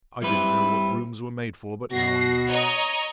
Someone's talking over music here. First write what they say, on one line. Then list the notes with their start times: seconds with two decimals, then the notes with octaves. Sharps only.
I didn't know what broughams were made for, but now I know.
0.22 G3 C4 E4 B4 E5
1.91 B2 F#4 A#6 C7
2.48 C#5 D#5 A#5